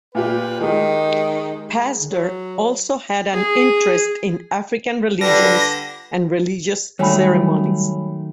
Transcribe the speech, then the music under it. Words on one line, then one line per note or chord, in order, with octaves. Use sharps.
Pazder also had an interest in African religions and religious ceremonies.
A#2 F4 G4 B4
D#3 G#3 D#4 G4
F#3
G#4
D3 G3 D4 F4 A4 B4 A#6
D#3 F#3 G3 A3 C#5 G#5 B5